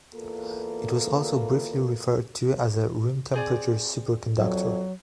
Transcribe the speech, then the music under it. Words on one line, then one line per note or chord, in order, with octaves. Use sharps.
It was also briefly referred to as a room-temperature superconductor.
E2 A#3 F4 A4 B4
C4 G#4 D5
F2 F#3